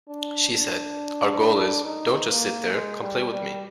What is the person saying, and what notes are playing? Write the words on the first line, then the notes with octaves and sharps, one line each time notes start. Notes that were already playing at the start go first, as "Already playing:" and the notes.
She said: "our goal is, don't just sit there - come play with me".
D4
D4
D#4
A#3
G#3
G3
G3